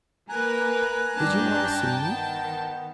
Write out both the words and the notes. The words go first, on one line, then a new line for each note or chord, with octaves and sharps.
Did you want to see me?
A#3 A#4 B4 G#5 A#5 F#6
G2 D4 G5 A5
D#3 B3